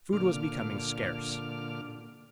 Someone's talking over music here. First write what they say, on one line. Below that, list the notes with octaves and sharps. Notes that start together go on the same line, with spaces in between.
Food was becoming scarce.
A#2 D3 D6 F6